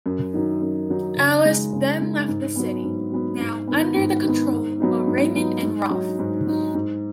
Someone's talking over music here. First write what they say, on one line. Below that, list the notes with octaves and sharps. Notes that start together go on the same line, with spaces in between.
Alice then left the city, now under the control of Raymond and Ralph.
F#2
D#3 F#3 D#4
F#2
D#3 F#3 D#4
C#3
G#3 D#4
C#3
G#3 D#4
G#2
F#3 B3
G#2
F#3 B3
G#2
D#3 B3
G#2
D#3 B3
G#2
F#3 B3 D#4
G#2
F#3 B3 D#4
G#2
F#3 D#4
G#2
F#3 D#4
G#2